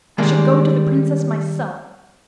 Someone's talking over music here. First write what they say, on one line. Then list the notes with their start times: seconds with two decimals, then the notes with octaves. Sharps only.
I shall go to the princess myself.
0.18 D#3 G3 G#3 A#3